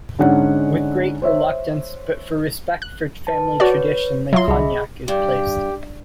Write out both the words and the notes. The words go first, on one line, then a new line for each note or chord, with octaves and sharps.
With great reluctance but for respect for family tradition the cognac is placed.
G#2 D3 G#3 C#4 D4 F#5
C5 C#5 E5
F#6
B4 A5
F#4 B4 C#5 D5
F#3 F4 E5 C6
C2 G#4 D#5 B5
G2 G4